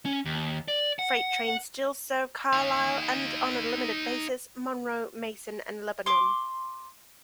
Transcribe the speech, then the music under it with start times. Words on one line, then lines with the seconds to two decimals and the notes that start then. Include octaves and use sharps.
Freight trains still serve Carlisle, and on a limited basis, Monroe, Mason, and Lebanon.
0.05 C#4
0.25 D#2
0.68 D5
0.99 F#5
2.53 D#4 F5
6.06 C6 D6